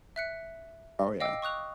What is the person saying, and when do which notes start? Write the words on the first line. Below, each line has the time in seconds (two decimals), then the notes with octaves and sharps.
Oh, yeah.
0.16 E5 F#6 C#7
1.20 D#5 F5 G5 D6 E6
1.42 C#6 D#6 F#6 F7